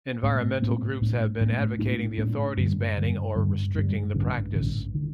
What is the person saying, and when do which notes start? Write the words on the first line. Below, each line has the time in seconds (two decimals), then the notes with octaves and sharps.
Environmental groups have been advocating the authorities' banning or restricting the practice.
0.23 A2 A3 C4
0.62 A2 A3 C4
1.01 A2 A3 D4
1.41 A2 A3 D4
1.79 A2 A3 D4
2.18 A2 A3 D4
2.57 G2 D3 G3
2.97 G2 D3 G3
3.36 G2 D3 G3
3.75 G2 D3 G3
4.14 A1 G2 D3
4.53 A1 G2 D3
4.94 D3